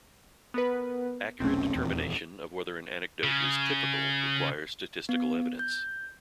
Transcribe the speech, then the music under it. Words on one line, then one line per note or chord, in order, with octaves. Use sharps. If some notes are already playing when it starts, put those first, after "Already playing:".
Accurate determination of whether an anecdote is "typical" requires statistical evidence.
B3 A#4 B4
F1 B1 A3 C4 C#4
D#1 E2
C#3
B3
G6